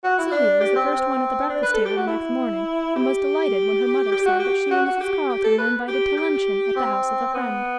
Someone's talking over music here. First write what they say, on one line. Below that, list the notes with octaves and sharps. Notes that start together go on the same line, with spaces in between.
Sylvia was the first one at the breakfast table the next morning, and was delighted when her mother said that she and Mrs. Carleton were invited to luncheon at the house of a friend.
F#4
E4
D4
G4
C4
C4
D4
B4
A4
G4
F#4
E4
G4
G4
F#4
G4
F#4
F#4
G4
G4
A4
B4
G4
G4
C4
B3